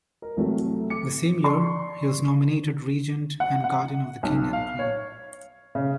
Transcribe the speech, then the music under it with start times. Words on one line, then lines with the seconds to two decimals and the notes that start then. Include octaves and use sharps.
The same year he was nominated Regent and Guardian of the King and Queen.
0.22 A#4
0.36 C2 C3 F#3 A3
0.90 D6 C#7
1.44 D5 A5 C6 C#6
3.40 F#5
3.64 F#5
4.23 B1
4.53 F5
4.79 C#5
5.75 C#3